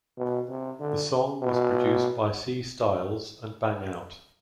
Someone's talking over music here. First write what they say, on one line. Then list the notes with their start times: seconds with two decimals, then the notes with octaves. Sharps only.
The song was produced by C. Styles and Bang Out.
0.18 B2
0.49 C3
0.80 D3
1.42 B2